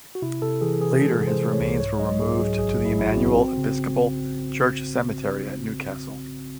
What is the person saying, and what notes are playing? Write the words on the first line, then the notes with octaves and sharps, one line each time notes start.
Later his remains were removed to the Immanuel Episcopal Church Cemetery at New Castle.
F#4
C3 E4
C3 A4
E3 G#4
E3 G#4
G#3 A4
C3
C5
C3
C#5
C2
G#2 C#5
F#3 D#5
G#2 G#4
F#3 G#4
A1 G#4
F#3
E4
A1 E4
F#4
C4
C4
C#3